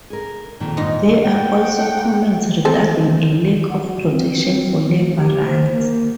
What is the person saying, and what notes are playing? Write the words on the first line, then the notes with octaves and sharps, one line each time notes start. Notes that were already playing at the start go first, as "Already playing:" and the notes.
There are also comments regarding a lack of protection for labour rights.
G#4 A#4
F2 A#2 D#3
G#2 D#4
F#5 G5
C4 A4 C5
F#5
F#4
C4
C4
A3
G4
C5
A#3